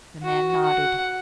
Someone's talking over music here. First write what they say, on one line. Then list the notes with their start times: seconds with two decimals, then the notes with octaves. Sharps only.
The man nodded.
0.22 F#4
0.64 F#5